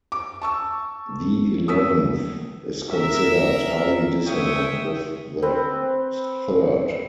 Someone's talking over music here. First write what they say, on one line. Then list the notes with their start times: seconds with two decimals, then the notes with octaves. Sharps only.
The eleventh is considered highly dissonant with the third.
0.12 D6
0.42 A5 C#6 E6
1.68 D#6 E6 B6
2.91 A#4 E5
4.25 G#3 C#5 E5 G5 C#6 D#6
5.42 C4 B4